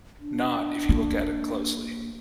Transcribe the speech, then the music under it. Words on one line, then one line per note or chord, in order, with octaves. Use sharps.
not if you look at it closely.
D4
A#3